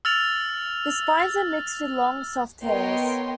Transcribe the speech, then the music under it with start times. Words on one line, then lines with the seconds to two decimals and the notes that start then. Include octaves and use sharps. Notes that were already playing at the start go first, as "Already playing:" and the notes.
The spines are mixed with long, soft hairs.
0.05 E6 F6 A6 F7
2.63 B3 A#4 C#5 D#5 G5 C6